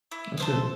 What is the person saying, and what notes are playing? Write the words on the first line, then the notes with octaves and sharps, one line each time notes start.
That's good.
E4
A4 C5 D#5